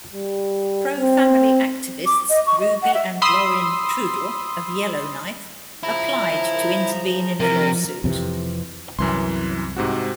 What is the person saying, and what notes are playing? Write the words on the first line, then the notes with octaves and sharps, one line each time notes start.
Pro-"family" activists Ruby and Laurin Trudel of Yellowknife applied to intervene in the lawsuit.
G3
C4
D6
D#5
C#6
D#5
F#5
E5
B5 C6 D#6 E6
C#3 F3 E4 A#5
C3 F3 A#4
F2 C3 E3
C2 F#2 E3 C6
G#2 C3 F#4